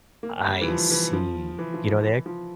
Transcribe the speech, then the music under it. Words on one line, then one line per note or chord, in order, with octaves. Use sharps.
I see. You know they
A#3
G3
E3
F3
E3
F3
E3
F3
F3
E3
F3